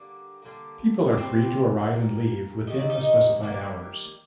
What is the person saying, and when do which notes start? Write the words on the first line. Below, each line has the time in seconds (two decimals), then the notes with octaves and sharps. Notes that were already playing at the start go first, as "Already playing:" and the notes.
People are free to arrive and leave within the specified hours.
Already playing: D3 G3 A#3
0.42 D3 G3 A#3
1.12 D5
1.17 D3 G3 A#3 C4 C5
1.93 D#3 G3 A#3
2.67 D#3 G3 A#3 D#5
2.79 D5
2.90 D#4 D#5
3.42 D#3 G3 A#3